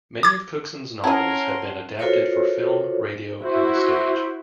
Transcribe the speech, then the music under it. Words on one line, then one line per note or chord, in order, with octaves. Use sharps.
Many of Cookson's novels have been adapted for film, radio, and the stage.
D6 G#6
C#4 E4 G#4 A#4 F#5 A5 C6 G#6
F4 F#4 A4 A#4 C5 C#5
E4 F#4 C5